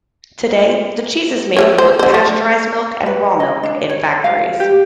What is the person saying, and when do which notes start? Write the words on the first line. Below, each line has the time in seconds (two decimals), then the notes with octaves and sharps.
Today, the cheese is made from both pasteurized milk and raw milk in factories.
1.57 A3 A#3 C#5
1.78 C5
1.99 D3 C5
2.14 A3
3.06 B4
3.40 D#5
3.63 D4
3.89 C#5
4.24 F5
4.60 G4